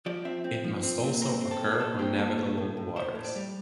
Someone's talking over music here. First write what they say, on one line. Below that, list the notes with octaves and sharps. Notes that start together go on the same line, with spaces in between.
It must also occur on navigable waters.
F3 D5
C4 E5
C4
F3
C4
A#2
C4 A#4
C4
A4
A#2
A#2 A4
C4 G4
A#2 A4
A2 A4
A2
A2
A2 C5
A2
D5
G3